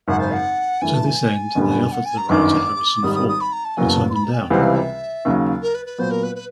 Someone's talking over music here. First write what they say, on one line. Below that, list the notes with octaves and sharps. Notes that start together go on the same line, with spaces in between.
To this end, they offered the role to Harrison Ford who turned them down.
G#1 F#2 C#3 F#5
C5
F#5
G2 E3 A3 G#5
A5
G#5
G1 F#2 D3 G3 B3
F#5
G#5
A#5
G1 F#2 D#3 D6
G#1 G#2 D#3 G3 D#6
D#6
D#6
B5
A#5
A5
F#1 E2 C#3 F#3 A#3 G#5
A5
C6
B5
A#5
G#5
G5
C#2 C3 E3 G3 C4 F#5
F5
E5
D#2 C#3 F#3
A#4
B4
B4
A#2 F#3 B3 C5
A#4
B4
B4